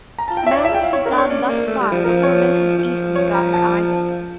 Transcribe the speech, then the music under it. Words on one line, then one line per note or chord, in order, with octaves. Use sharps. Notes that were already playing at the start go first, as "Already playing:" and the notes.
Matters had gone thus far before Mrs. Eastman got her eyes opened.
A#5
F4 A5
G5
E4 E5
C#5
E4 D5
E5
F4
G5
E4 F5
E4 C#5
A#4
D4
C#5
C#4 D5
A#3
A3
G3
F3
F3 A#4
C#5
F3
C#5
A#5
A5